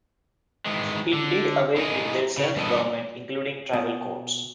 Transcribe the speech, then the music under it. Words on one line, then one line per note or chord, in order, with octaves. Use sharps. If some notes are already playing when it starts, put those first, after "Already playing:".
It did away with their self-government, including tribal courts.
D#3 E3 G#3
D3
E4 G#4 A#4 D#5 G#5
C#3
G2 B2 E3 B3 A4 D#5
B2